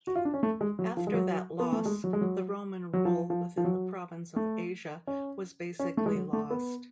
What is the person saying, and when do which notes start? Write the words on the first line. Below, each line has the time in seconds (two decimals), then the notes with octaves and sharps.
After that loss the Roman rule within the province of Asia was basically lost.
0.07 F#4
0.15 F4
0.25 D4
0.34 C#4
0.43 A3
0.61 G#3
0.79 F#3
0.97 F3
1.07 G#3
1.14 F#3
1.60 B3
1.72 A3
1.85 G#3
2.04 F#3
2.13 G#3
2.21 F#3
2.93 F#3
3.05 F3
3.30 F3
3.57 F3
3.65 F#3
4.36 A3
5.07 C#4
5.79 C#4
5.97 A3
6.06 G#3
6.15 F#3
6.33 A3
6.51 B3